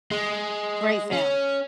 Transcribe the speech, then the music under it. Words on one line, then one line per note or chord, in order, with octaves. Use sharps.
Great film.
G#3
C#4